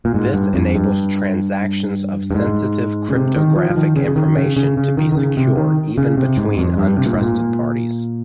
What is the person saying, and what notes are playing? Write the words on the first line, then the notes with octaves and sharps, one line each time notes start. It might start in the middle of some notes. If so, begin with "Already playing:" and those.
This enables transactions of sensitive cryptographic information to be secure even between untrusted parties.
A#2
G#2
G2
F2
G2
G2
G#2
C#3
C3
D#3
F3
F3
D#3
C#3
C#3
D#3
C#3
C#3
C#3
D#3
D#3
C#3
C3
D#3
C#3
C3
G#2
F2
G2
C3
A#2
G#2
A#2